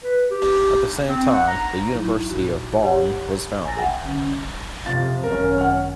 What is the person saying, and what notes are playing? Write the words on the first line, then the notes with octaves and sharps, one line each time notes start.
At the same time, the University of Bonn was founded.
B4
G4
C4
F#5
A#5
G#2 F#3 D#4 E4
A#2 F#4
G4 C#5 F#5
G#5 A#5 E6 A6 A#6
E5 F#5 G5
D3 C#4
F2 C3 F3 F4 A6
G#1 F#2 C#4 A#4
F#5 F6